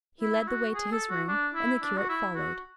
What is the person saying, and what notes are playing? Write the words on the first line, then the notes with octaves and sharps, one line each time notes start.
He led the way to his room, and the curate followed.
E4
E4
F#4
G#4
A4
F#4
D4
E4
D4
F#4
E4
F#4